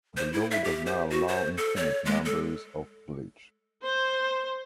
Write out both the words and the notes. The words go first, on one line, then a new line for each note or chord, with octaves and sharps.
The law does not allow infinite numbers of bleach.
C5
E4
E5
G4
C5
F#4
C5
A4
C#5
G#3
A4
C5